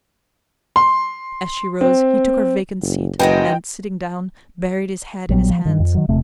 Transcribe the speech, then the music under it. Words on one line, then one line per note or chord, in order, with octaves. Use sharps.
As she rose he took her vacant seat, and, sitting down, buried his head in his hands.
C6
C4
F#1
F#1 D#3 F#3 G#3 B4 G5 A#6
A#1 F#3 G3 B3
F3
G2 D#3
F2
D#3 F#3
E1 C3 A3